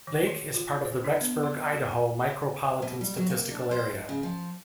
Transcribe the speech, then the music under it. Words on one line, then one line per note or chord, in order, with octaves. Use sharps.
Lake is part of the Rexburg, Idaho Micropolitan Statistical Area.
D#3
E3
F4
C5
D4
B3
C6
F#4
B2
G3
F#3
A#3
D4
C5
G#2
C#3
F3